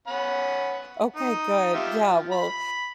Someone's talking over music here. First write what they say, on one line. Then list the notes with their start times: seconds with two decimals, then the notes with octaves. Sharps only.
Okay, good, yeah, well,
0.07 C#4 F#5 B5
1.16 D#4
1.74 F4 G4 E5
2.10 F3
2.32 B5